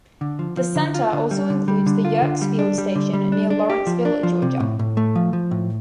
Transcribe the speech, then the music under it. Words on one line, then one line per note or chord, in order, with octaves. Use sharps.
The center also includes the Yerkes Field Station near Lawrenceville, Georgia.
D3
F3
F3
D3
F4
D3
G3
D3
G3
D3
F4
D3
G3
D4
G3
D3
G3
D4
D4
G4
F3
D4
F3
C3
A2
A2
A3
F3
F3
A2